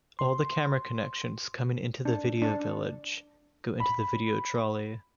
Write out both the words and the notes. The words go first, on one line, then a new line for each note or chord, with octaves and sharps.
All the camera connections coming into the video village go into the video trolley.
C6
D4
D4
B5